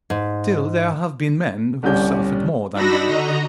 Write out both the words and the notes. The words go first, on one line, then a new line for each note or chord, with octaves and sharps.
"Still, there have been men who suffered more than you."
G#2
G1 C2 C#4 G4 G6
D4 D#4 F#4 B5 E6 A#6
D3 F#4 D#5 A#5